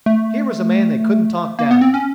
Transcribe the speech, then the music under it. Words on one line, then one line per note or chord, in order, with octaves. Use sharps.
Here was a man they couldn't talk down.
A3
A#3
B3
C4
C#4